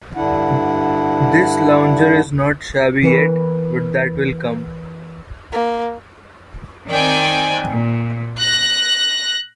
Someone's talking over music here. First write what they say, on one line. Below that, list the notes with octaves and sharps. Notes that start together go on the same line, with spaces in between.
This lounger is not shabby yet, but that will come.
G2 D3 D4 E4 F#5
E3 A#4 B4
A#3
D#3 C4 D5 G5 G#5
A#2
F#6 A#6